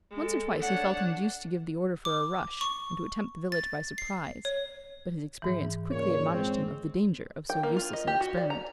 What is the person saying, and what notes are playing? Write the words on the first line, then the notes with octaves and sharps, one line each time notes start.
Once or twice he felt induced to give the order for a rush, and to attempt the village by surprise; but his experience quickly admonished him of the danger of so useless an experiment.
G#3 A4
D4 C#5 F#5
D6
C#6
A6
C7
C#5
G#2 E3
A#2 C#3 C#5
G#3 C4
G5
A#3
F4
D#5
G4
F#4
D5
A#5